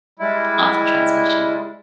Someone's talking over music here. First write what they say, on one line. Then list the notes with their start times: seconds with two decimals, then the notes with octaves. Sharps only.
lots of translation.
0.19 G3 G#3 E4